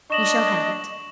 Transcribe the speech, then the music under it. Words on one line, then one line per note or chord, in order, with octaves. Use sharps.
"You shall have it."
D4 D#5 C#6 E7 F#7